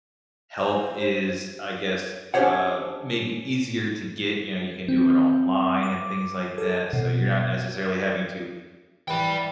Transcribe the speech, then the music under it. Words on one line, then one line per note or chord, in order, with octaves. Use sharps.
help is, I guess, uh, maybe easier to get. You know, you can do it online and things like that, so you're not necessarily having to
C5
C#4 D4 G4 C5 C#5 F#5
C4
D6
A4
B2
E3 B4 D5 G5